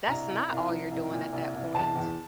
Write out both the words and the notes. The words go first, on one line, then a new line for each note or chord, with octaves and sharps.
That's not all you're doing at that point.
C2 A#5
C2
C2
F3
C2
A#2
C2
C2
E2 A5
E2